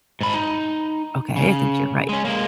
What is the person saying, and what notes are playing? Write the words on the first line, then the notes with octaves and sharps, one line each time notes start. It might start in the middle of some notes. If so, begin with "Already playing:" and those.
"Okay, I think you're right."
G#2 B5
D#4
C#3
G#3 C#4
G#3 A#3